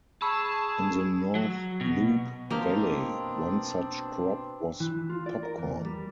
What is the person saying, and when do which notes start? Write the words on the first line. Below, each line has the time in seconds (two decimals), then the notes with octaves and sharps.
In the North Loup valley, one such crop was popcorn.
0.22 G#4 A5 B5 C#6 E6
1.35 F#3
1.81 B2
2.51 B2 A#3 C4 D4 G4 A#4 D#5
4.80 E3
5.10 F4
5.26 D5
5.43 A#4
5.58 E2
5.85 G3